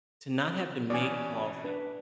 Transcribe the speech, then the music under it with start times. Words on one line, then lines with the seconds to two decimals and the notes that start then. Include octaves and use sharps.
to not have to make coffee
0.90 B2 E3 C#4 D5 G#5
1.64 D4 B4